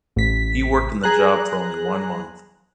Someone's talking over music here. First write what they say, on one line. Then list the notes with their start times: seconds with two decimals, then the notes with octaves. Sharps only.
He worked in the job for only one month.
0.16 A1 B6
1.03 G#4 A#5 F#6